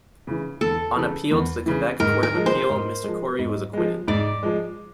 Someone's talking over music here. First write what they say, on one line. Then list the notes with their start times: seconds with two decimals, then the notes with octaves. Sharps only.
On appeal to the Quebec Court of Appeal, Mr. Kouri was acquitted.
0.27 C#3 E3
0.61 E2 A4
0.96 C#3 E3
1.31 E2
1.66 C#3 E3
2.00 G#2 A#4
2.23 A#4
2.35 F3 G#3
2.46 C5
2.69 G#2
3.04 F3 G#3
3.39 G#2
3.73 F3 G#3
4.08 G#2 D5
4.43 F3 G#3